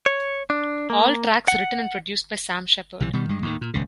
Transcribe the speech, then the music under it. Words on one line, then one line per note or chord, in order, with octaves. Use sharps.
All tracks written and produced by Sam Shepherd.
C#5
D4
A#3
F#5
B1 C3 E3
B2 D#3 G3
G2 G#3
D#2 A2 D#3
A#2
D#1 C#2 C#3